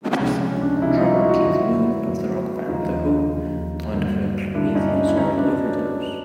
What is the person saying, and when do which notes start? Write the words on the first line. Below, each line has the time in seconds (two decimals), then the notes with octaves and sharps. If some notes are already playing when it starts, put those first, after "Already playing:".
Drummer Keith Moon of the rock band The Who died of a clomethiazole overdose.
0.13 C#4
0.20 C#2 C3 F3 G#3 D4
0.41 C#4
0.61 D4
0.77 D#4
0.82 C#2 C3 F3 G#3 D4 E4
0.97 D#4 F4
1.13 E4 F#4
1.28 E4 F#4
1.44 F#2 D3 F#3 B3
2.06 F#2 D3 F#3 B3
2.68 D#2 C#3 F3 D#4 F4
3.31 D#2 C#3 F3
3.92 G2 D3 F#3 A#3
4.55 G2 D3 F#3 A#3 D4 E4
4.75 C#4 D#4
4.96 D4
5.08 E4
5.17 F#2 D3 F#3 B3 C#4 D#4
5.38 D4